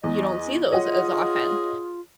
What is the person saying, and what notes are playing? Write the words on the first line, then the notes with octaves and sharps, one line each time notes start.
you don't see those as often,
E2 D#5
F4 G#4 C#5 D#5 F#5